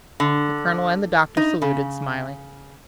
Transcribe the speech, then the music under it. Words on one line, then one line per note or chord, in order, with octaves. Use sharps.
The colonel and the doctor saluted, smiling.
D3
D#4
C#3